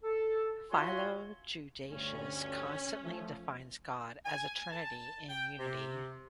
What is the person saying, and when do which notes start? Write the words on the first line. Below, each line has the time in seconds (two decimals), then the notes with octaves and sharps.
Philo Judaeus constantly defines God as a Trinity in Unity.
0.03 A4
0.71 F4 F#4 C#5 E5 G#5 C6
1.90 D2 G2 C#4
3.04 F3 A3
4.25 G#5
4.72 A5
5.30 G5
5.59 C3